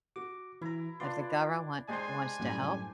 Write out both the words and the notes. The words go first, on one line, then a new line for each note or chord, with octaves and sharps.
If the govern want wants to help,
F#4 D6
E3 E4 A#5
D4 F4 B4 D5 C6
G#3 D4 G4 C5 D#5 G#5 C6
F#2 A2 G3